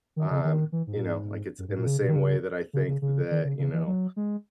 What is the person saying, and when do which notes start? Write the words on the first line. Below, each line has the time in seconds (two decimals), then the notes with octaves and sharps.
um, you know, like, it's in the same way that I think that, you know,
0.16 D#3
0.31 C#3
0.44 D#3
0.72 E3
0.87 G#2
0.96 A#2
1.04 G#2
1.58 F#2
1.68 G#2
1.78 A#2
1.87 C#3
2.01 B2
2.09 D#3
2.16 C#3
2.73 C#3
2.87 C#3
3.02 C#3
3.31 D#3
3.44 C#3
3.59 C#3
3.73 E3
3.87 F#3
4.16 G#3